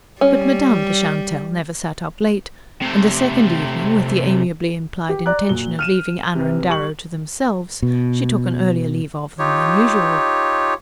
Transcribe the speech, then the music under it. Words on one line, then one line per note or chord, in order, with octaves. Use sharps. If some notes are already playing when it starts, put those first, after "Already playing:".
But Madame de Chantelle never sat up late, and the second evening, with the amiably implied intention of leaving Anna and Darrow to themselves, she took an earlier leave of them than usual.
G3 C#4
C3 A3
G4
D5 A#5 D6 F#6
A#2 F#3 G7
F6 D#7 E7
C3 E3
G3 C#6 F#7
B2
D#4 F4 G4 C#5